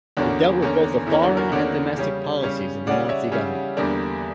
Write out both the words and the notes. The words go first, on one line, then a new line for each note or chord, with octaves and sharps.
It dealt with both the foreign and domestic policies of the Nazi government.
E2 D3 A#3 C#4 D4 F#4
E2 D3 A#3 C#4
E2 D3 A#3 C#4 E4
D4 F#4
F#4 A#4
E2 D3 A#3 C#4 D5 F#5
C#3 G3 C#4
C#3 G3 C#4
C#3 G3 C#4 D5 F#5
C#5 E5
C#3 G3 C#4
E2 D3 G3 A#3 D4